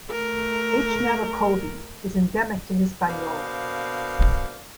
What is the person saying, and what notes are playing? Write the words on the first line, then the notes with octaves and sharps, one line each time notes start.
"H. nabokovi" is endemic to Hispaniola.
A3 A#4
B2 A#3 D4 C5 F5